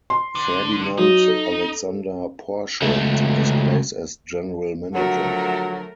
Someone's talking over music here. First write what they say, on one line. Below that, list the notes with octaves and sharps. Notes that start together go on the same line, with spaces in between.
Ferdinand Alexander Porsche took his place as general manager.
C6
D3
F#3 D#4
A4
C#2 A3
D3 F3 F#3 A3 A#4 F#5